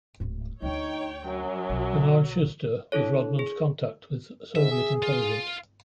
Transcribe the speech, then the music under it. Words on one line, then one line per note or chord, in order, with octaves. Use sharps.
Bernard Schuster was Rodman's contact with Soviet intelligence.
D1 G#2
D2 D3 D#4 C#5 G5
F#2 F#3
B1
D4 E4 A4 C#5
G#4
G#2 E5
G#4
F4